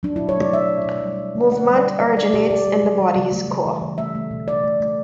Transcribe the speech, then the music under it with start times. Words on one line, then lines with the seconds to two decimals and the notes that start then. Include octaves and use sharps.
Movement originates in the body's core.
0.03 F#3 D4
0.16 B2 E4
0.29 C#5
0.37 A3 D5
0.52 B2 E5
0.69 F#3
0.85 B2
1.02 G3
1.18 G3
1.35 D3
1.51 D3 F#5
1.68 G3
1.76 D5
1.84 G3
2.01 G3
2.17 G3 D5
2.33 B2 G4
2.50 B2 D5
2.67 G3
2.84 G3
2.99 E3
3.16 C#3
3.32 A3
3.48 C#3
3.65 E3
3.82 C#3
3.98 A3 E5
4.15 A3
4.31 B2
4.48 B2 D5
4.64 A3
4.80 A3